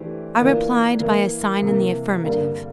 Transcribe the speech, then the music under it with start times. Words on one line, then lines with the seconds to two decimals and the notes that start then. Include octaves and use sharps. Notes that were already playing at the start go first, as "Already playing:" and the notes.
I replied by a sign in the affirmative.
Already playing: E3 A3 D4 G4 C5
0.39 E3 A#3 D4 F4
1.00 E3 A#3 E4
1.61 C3 E3 A#3
2.23 G2 D3 G3 A#3